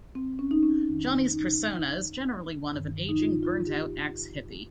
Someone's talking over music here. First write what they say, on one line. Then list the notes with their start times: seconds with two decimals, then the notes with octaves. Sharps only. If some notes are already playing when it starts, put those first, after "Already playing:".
Johnny's persona is generally one of an aging burnt out ex-hippie.
Already playing: G#2
0.15 C4
0.39 C#4
0.51 D#4
0.63 C#4
0.86 F2 D#3
1.33 D#4
2.74 G2 D#3
3.09 D#4
3.20 F4
3.43 F4
3.67 G4